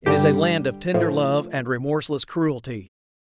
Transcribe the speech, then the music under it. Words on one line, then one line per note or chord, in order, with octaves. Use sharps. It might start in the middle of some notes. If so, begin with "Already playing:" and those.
It is a land of tender love and remorseless cruelty.
G2 D3 G3 G4
A2 F3